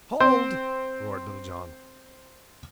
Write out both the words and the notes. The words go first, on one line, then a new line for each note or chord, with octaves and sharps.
"Hold!" roared Little John.
C4 C5